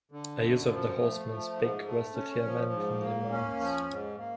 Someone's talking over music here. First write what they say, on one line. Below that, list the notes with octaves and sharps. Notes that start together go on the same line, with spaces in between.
A use of the horseman's pick was to tear men from their mounts.
D3
F#2
F3
A3
F3
G#2
A3
C#4
F3
G#2
A#3
C#4
F3
G#2
A#3